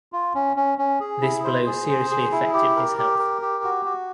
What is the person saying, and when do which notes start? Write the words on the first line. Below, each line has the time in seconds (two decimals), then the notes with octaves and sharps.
This blow seriously affected his health.
0.12 F4
0.35 C#4
0.57 C#4
0.78 C#4
1.00 G#4
1.22 E4
1.44 C5
1.66 G#4
1.88 C5
2.10 G#4
2.32 E4
2.54 G4
2.76 A#4
2.98 G4
3.19 A#4
3.42 G4
3.64 F#4
3.85 F#4